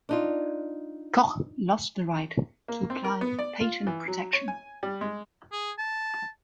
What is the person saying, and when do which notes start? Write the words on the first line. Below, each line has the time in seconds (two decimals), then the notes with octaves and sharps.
Koch lost the right to apply for patent protection.
0.09 D4 D#4 F4
2.68 A#3
2.90 C4
3.04 A#4
3.21 B3
3.39 D5
3.60 F4
3.87 E3
4.08 F#3
4.33 C#5
4.48 G#5
4.83 G3
5.01 G#3
5.52 G#4
5.78 A5